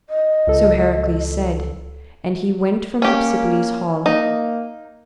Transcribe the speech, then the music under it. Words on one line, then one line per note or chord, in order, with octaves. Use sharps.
So Heracles said, and he went from Hypsipyle's hall.
D#5
C#2 A4
A#3 C#4 G4
A#3 D#4